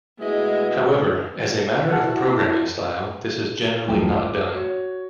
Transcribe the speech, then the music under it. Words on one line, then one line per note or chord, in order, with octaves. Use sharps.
However, as a matter of programming style this is generally not done.
B2 G#3 A3 E4 D#5
E4 F#4 F#5 G#5 A5
D#1 A1 F#2 F3 G5
D6
F#4 C#5